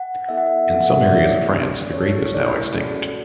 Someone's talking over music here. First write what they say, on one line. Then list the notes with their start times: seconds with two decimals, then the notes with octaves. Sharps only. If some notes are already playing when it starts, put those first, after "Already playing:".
In some areas of France the grape is now extinct.
Already playing: F#5
0.29 B3 E4 A4 E5
0.38 F#5
0.46 E5
0.70 B3 F#4 A4 F#5
0.84 E5
0.98 E5
1.06 D5
1.12 A3 E4 G#4 C#5
1.23 D5
1.51 D4 G#4
1.93 C#4 E4 A4 C#5
2.26 C#5
2.34 A3 E4 G#4 D5
2.75 C#4 F#4 A4